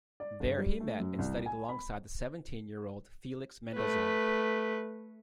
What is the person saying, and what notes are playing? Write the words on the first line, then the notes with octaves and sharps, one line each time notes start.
There he met and studied alongside the seventeen-year-old Felix Mendelssohn.
D5
G1
G3
A3
F#2
C2
G#5
B5
A3 B4